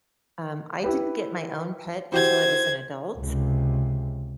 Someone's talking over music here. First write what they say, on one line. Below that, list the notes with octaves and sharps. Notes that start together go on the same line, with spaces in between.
um I didn't get my own pet until I was an adult
E4 G4 B4
E4 F#4 G4 C5 G#6
C#2 C3